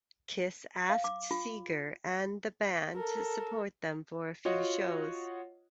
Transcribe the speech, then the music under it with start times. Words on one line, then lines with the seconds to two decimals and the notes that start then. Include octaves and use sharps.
Kiss asked Seger and the band to support them for a few shows.
0.90 F5
1.04 D6
1.31 F4
2.94 A4 A#4
4.45 F4 F#4 C#5 D#5 F#5